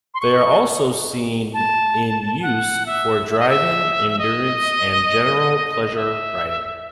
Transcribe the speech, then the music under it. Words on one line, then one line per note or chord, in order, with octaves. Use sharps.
They are also seen in use for driving, endurance and general pleasure riding.
C6
C#6
A5
F#5
E5
E5
D#5
E5
D#5
E5